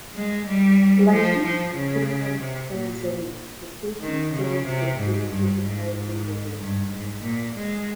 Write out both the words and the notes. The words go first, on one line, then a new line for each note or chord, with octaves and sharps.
Licensed to Tempe, Arizona, the station serves the Phoenix metropolitan area.
G#3
G3
F3
F3
C#3
C3
A#2
D#3
C#3
C3
G#2
G2
G#2
G2
G#2
A#2
G#3